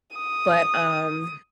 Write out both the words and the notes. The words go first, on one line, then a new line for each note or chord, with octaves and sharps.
But, um
D#6